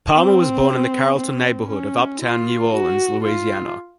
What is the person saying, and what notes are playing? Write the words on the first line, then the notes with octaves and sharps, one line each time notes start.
Palmer was born in the Carrollton neighborhood of uptown New Orleans, Louisiana.
C4
C4
C#4
F4
F#4
F4